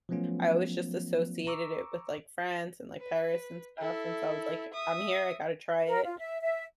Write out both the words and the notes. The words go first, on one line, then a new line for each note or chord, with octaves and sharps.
I always just associated it with, like, France, and, like, Paris, and stuff, and so, I was like, "I'm here, I gotta try it."
F3 F#3 A3 B3 C#4 F4
A#5 C#6 D6 E6
B4
E4 A4
E5 D#6
A#4
F4
E5
E5